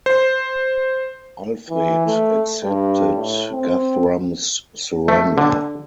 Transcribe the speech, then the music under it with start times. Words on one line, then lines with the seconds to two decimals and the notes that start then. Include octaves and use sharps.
Alfred accepted Guthrum's surrender.
0.06 C5
1.69 E3
2.06 A3
2.63 G2
3.16 A2
3.52 C4
5.08 A3
5.38 D3